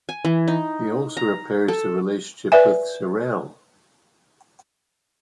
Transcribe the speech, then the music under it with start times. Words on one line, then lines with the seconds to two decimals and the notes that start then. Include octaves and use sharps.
He also repairs the relationship with Cerrelle.
0.09 G#5
0.25 E3
0.48 D#4
1.17 A#5
1.68 A4
2.52 B4 D5 E5 G#5